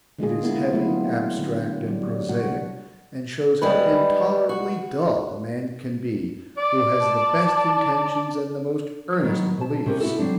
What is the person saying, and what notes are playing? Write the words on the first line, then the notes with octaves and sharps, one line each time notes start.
It is heavy, abstract and prosaic, and shows how intolerably dull a man can be who has the best intentions and the most earnest beliefs.
D3 G#3 F4 G#4
A#3 B3 E4 F4 G#4
F#3 A3 B3 C4 E4 F4
D3
F#3 G3
C3 G3 F#4 F#5
G3 G#3 B4
F#4
D5
A5
D#3 F#3 B3
B2 A5
C3 C#4 G4 A#4
B3 E4 F#4 A4
C3 F#3 C4 D4